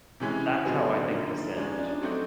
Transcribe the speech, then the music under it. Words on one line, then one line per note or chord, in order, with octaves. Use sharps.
That's how I think of a sandwich.
C3 E3 G#3 C#4
D3 F#3 B3 C4 D#4 G#4
D4
D4
D3 F3 A#3 D#4
F3 G#3 C#4 D4
D#4
D4
D4
F#3 A3 C4 D#4 F#4